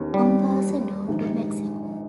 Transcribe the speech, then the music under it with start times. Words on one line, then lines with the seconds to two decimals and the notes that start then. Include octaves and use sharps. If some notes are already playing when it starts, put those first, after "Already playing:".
Ambassador to Mexico.
Already playing: E1 D#2 D#3 C#4
0.14 G3
1.08 A#1 G#2 D#3